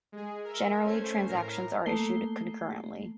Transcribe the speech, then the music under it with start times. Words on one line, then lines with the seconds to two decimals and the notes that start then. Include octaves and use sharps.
Generally, transactions are issued concurrently.
0.12 G#3 G#4
0.44 A#4 E5
0.83 A3 C#4 C5 G#6 C7
1.28 A2 A#4 A#5 C7
1.86 A3 A#3 C7 G7